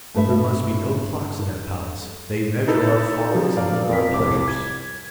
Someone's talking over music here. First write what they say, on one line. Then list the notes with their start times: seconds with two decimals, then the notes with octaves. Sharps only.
But there must be no clocks in that palace--they measure our follies and limit our pleasures.
0.14 G2 A3 A4 B4 E5
2.68 D#4 E4 A4 B4
3.34 F3 F#3
3.56 A4 D5 F5 A#5
3.89 F2 A#4 B6
4.12 C2 D6
4.48 G#6